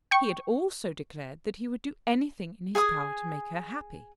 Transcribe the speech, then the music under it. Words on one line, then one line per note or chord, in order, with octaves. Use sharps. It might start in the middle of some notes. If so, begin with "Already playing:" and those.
He had also declared that he would do anything in his power to make her happy.
G5 C#6
G#4 G#5 C#6 D#6